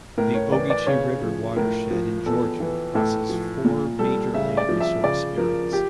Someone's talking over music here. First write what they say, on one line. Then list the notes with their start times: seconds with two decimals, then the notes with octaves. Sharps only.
The Ogeechee River watershed in Georgia crosses four major land resource areas.
0.18 A2 A#4
0.35 C#5
0.52 E3 D5
0.70 D5
0.87 C#3 C#5
1.22 F3
1.56 A2 A#4
1.91 F3
2.26 E2 A4
2.60 E3
2.95 A2 A4
3.29 F3
3.65 A#2
3.99 G3 A4
4.34 C#3 E5
4.57 D5
4.69 F3
4.80 E5
5.03 C#3 D5
5.38 F3 A#4
5.73 G4